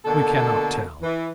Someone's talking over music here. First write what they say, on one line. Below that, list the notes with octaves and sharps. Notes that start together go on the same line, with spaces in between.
We cannot tell.
B2 D3 A#3 A4
E3